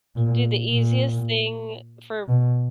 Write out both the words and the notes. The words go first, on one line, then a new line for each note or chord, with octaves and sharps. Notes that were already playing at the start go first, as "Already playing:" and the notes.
do the easiest thing for
A#2
A#2
B2